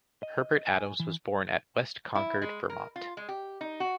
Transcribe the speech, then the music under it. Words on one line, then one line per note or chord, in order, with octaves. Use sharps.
Herbert Adams was born at West Concord, Vermont.
D#5
G#5
E3
E4
G#3
A#4
F4
G#3
G4
D#4
F#4